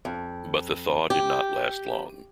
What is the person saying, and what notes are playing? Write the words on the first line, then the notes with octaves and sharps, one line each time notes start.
But the thaw did not last long.
F2
G4